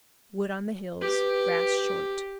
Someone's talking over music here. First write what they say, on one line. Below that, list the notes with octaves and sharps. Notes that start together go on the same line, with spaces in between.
Wood on the hills; grass short.
G4 B4